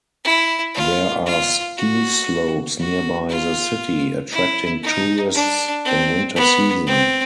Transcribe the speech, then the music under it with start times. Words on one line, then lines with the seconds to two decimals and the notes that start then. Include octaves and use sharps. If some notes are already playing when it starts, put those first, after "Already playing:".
There are ski slopes nearby the city, attracting tourists in winter season.
0.24 E4
0.75 F4
1.26 F4
1.77 F#4
2.79 F#4
3.30 F4
4.31 E4
4.83 D#4
5.34 D4
5.85 C4
6.36 B3
6.86 C4